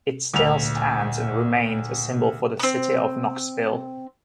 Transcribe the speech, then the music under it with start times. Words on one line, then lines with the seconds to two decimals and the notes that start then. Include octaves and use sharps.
It still stands and remains a symbol for the city of Knoxville.
0.34 D2 A#2 F7
2.60 B3 C4